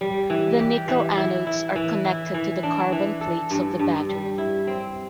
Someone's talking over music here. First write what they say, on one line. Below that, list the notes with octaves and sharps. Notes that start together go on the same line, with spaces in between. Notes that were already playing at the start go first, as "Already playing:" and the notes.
The nickel anodes are connected to the carbon plates of the battery.
G3
E3
G4
E3
E4
E4
E3
E4
E3
D4
E3
A4
G2
G2
G3
E4
C4